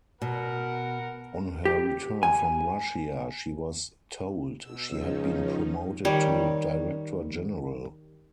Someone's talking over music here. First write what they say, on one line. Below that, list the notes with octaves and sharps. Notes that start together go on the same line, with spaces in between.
On her return from Russia, she was told she had been promoted to Director-General.
B2 A#4 F#5
G4
G#5
B2 E6
C#2 F3 C#4 D#4
D#3 G3 G4 C#5